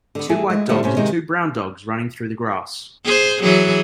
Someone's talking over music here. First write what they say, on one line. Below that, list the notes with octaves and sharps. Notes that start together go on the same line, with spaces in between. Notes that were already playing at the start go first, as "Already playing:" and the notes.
Two white dogs and two brown dogs running through the grass.
D3 B3
E3 A3 G#4
G#3
D3 F3 G3 A3 B3
A2 C3 C#4
C3 D#3 G#3
G#4 C5
E3 F#3 G#4